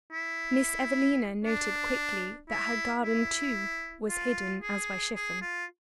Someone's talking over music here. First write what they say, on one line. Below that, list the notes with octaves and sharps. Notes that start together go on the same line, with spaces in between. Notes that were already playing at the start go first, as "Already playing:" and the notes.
Miss Evelina noted quickly that her garden, too, was hidden as by chiffon.
E4
D4
E4
E4
F4
G#4
G#4
F4